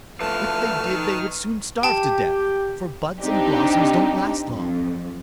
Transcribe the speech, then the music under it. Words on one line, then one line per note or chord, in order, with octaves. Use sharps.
If they did they would soon starve to death, for buds and blossoms don't last long.
C2 F3 A3 B4 A5 F6
D#3
G4 G5 A5
C4 D4 D#4 G4
F2